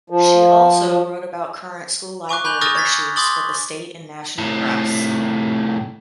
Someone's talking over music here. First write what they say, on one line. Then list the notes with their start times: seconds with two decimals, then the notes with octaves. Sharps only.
She also wrote about current school library issues for he state and national press.
0.10 F3
2.29 G#5 C#6 D6 F#6
2.45 G#5 B5 F#6 G6 F7 G7
2.61 C#6 D#6 F6 G6 A6 A#6
2.75 C#6 G#6 A6 B6
3.16 C6 D6 D#6 A6 F#7 G7
4.38 C2 A2